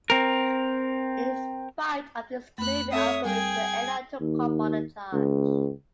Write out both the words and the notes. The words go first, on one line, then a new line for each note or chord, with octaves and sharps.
In spite of these gloomy auguries the airline took off on the charge.
C4 A#4
F2 A3 B5 F#6
C4 A4 C#5 E5 D#6
G3 G#4 A#4 G5 G#6
D#2
C#2